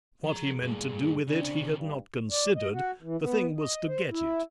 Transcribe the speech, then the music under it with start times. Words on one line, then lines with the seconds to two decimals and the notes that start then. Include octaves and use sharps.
What he meant to do with it he had not considered, the thing was to get it.
0.24 F3 G#4 A#5
0.62 G2 A#2
1.27 C#3 C4 D4
1.79 G2
2.32 D5
2.56 D#5
2.73 F#4
3.02 E3
3.20 B3
3.58 D#5
3.88 C5
4.10 E4